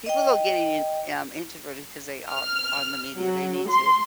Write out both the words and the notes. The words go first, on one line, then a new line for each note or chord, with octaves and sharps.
People are getting in um, introverted 'cause they are on the media, they need to,
D#5 G5
F6
F#3
C6